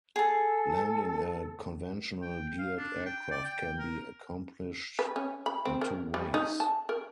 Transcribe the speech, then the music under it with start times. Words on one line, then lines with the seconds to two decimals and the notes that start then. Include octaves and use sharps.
Landing a conventional geared aircraft can be accomplished in two ways.
0.16 G#4 A4 A5
2.22 G5
2.59 F5
2.77 D4
3.06 G5
3.31 D5
3.45 G5
3.79 A#4
4.99 B4
5.16 C#4
5.46 B5
5.65 C4
5.81 A#4
6.14 G3
6.34 D#4
6.60 A5
6.89 A#4